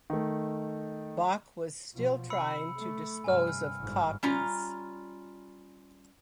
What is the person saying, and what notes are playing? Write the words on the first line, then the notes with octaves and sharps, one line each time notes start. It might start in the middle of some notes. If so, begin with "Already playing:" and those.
Bach was still trying to dispose of copies.
D#3 A3
B2 F3
C3 B5 E6 C#7
A3
G2 C3 G#5 F6
G1 G#2
G3 C#4 F4 A#5